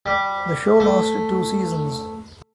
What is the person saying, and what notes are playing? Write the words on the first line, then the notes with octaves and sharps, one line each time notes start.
The show lasted two seasons.
G3
A3